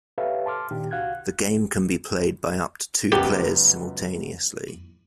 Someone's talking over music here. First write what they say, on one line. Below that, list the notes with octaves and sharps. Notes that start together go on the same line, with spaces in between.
The game can be played by up to two players simultaneously.
G4 A4 B4 C#5 E5 F5
A5 C6 D6 F6
A#2 D#3 D4 G4
C2 F#4 F5 F#6 G#6
C#2 F#2 B3 G4